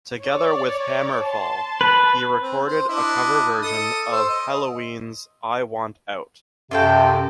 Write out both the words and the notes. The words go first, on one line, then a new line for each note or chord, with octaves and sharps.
Together with HammerFall he recorded a cover version of Helloween's I Want Out.
C#5 D5
A5 C6
B4
C4
C5
D4 E4 D#5
A4 D#6
C5 E6
D#5
F#2 C3 F4 A4 G5